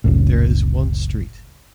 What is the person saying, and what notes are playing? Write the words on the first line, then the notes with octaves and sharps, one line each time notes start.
There is one street.
F#1 C#2 A2